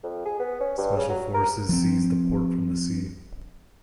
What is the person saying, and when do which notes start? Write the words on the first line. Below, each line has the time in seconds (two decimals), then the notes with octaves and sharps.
Special forces seized the port from the sea.
0.03 F2
0.25 G#4
0.39 B3
0.60 C#4
0.78 G2
0.97 C#3
1.09 F#3
1.34 A#4
1.69 F3 C4